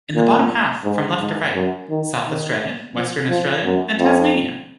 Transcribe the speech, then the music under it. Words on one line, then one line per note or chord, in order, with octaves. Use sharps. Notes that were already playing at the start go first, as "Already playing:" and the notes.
In the bottom half, from left to right: South Australia, Western Australia, and Tasmania.
A#2
G#2
G#2
F#2
D#3
D#3
F3
F3
F#2
F2